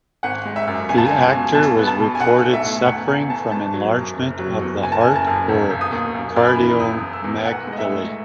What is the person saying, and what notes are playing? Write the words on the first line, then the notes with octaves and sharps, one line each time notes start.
The actor was reported suffering from enlargement of the heart or cardiomegaly.
G#1 F#5
G#3
E5
F#2
C#2 G#5
A5
G#5
C#2
G#5
B2
B1 A5
B3
A5
B2
G#5
B1 F#5
B1
E5
A2
E1 F#5
E1 G#5
E2 A5
G#1 A5
F#3
F#2
F#1
F#3
E2
F#1 G#5
A5
G#5
F#1
A5
F#2
E1
E1
D#6
D#2
F#2
F#2
B5
E3
E1 D#6
E1
E6
E2
B1 F#5
G#3
D#5
E5
A2